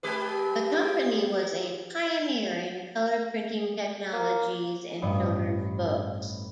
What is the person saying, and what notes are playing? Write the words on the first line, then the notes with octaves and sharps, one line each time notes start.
The company was a pioneer in color printing technologies in children's books.
G#3 G4 B4
A#3
A1 G2 D#5 C#7